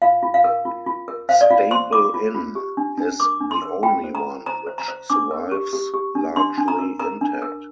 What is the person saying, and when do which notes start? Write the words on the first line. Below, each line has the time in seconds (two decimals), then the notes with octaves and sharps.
Staple Inn is the only one which survives largely intact.
0.02 F4 F5
0.23 F4
0.34 F5
0.44 A#4
0.65 F4
0.86 F4
1.08 A#4
1.29 C5 F5
1.41 D5
1.50 F4 F5
1.71 C5 C6
1.93 F4 D6
2.14 F4
2.35 F4
2.55 G4
2.77 D4
2.98 D4
3.20 A#4 D6
3.40 D4
3.51 C6
3.62 A#4
3.83 F4 G5
4.04 C5
4.15 A#5
4.25 F4
4.46 C5 A#5
4.67 C5
4.78 A#5
4.88 C5
5.10 D4 D6
5.31 A#4
5.52 G4
5.73 G4
5.94 G4
6.15 D4
6.36 D4 C6
6.58 D4
6.68 A#5
6.79 A#4
6.99 A#4 A#5
7.21 D4
7.42 A#4